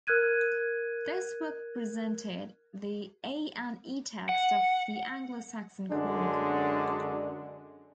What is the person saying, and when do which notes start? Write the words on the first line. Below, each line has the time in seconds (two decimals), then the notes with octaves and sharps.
This work presented the A and E texts of the "Anglo-Saxon Chronicle".
0.07 A#4 F6 F#6 G#6 D#7
4.29 F#5
5.91 F#2 D3 G#3 D4